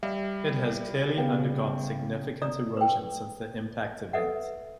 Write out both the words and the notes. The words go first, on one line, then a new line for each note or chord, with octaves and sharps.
It has clearly undergone significant erosion since the impact event.
G3 E5
C#3 B3 G5
D5 A#5 D#6
B4 G5
A4 B4 E5 F#5